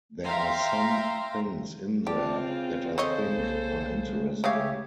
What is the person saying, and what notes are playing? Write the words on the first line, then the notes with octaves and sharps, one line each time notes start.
There are some things in there that I think are interesting.
E5 F5 G5 A#5 C6
C4 F4 G4 D5 A5
C#3
C4 A4 C5 C#5 D#5
B1 A#3
G#3 A3
C#3 G4 C#5 E5 F5